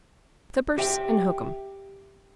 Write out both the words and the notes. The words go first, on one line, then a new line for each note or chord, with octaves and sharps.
Clippurse and Hookem.
G4 E5 G5